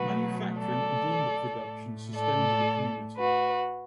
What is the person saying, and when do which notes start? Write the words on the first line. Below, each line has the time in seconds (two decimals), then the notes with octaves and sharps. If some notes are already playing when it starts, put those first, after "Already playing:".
Manufacturing and lumber production sustained the community.
Already playing: B2 F#3 A3 F#4 B4
0.59 A4 D5
1.63 A2 A3
2.15 A4 D5
3.18 F#4 B4